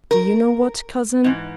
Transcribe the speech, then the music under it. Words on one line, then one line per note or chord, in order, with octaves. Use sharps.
Do you know what, cousin?
A#4
G#2 E3